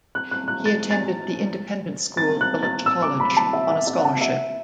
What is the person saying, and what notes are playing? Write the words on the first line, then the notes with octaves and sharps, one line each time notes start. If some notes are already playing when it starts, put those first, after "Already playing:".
He attended the independent school Dulwich College on a scholarship.
F#6
F#6
F#6
A6
A6
A6
F#6
A6
E6
D6
B5
A5
E5
E5
E5
F#5
A5
E5